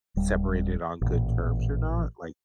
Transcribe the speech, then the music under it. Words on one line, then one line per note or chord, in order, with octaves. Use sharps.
separated on good terms or not? Like
D1 G3
A1 A#2